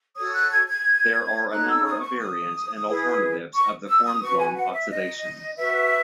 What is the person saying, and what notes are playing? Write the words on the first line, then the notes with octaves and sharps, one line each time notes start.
There are a number of variants and alternatives of the Kornblum oxidation.
F#4 A4 C#5 D#6
F#6
G#6
G#6
D#4 A4 C#5 F#6
E6
D#6
C#6
D#6
E4 G#4 B4
C#6
E6
D#6
F#4 B4 C#6
G#5
F#5
E5
D#5
F#4 B4 E5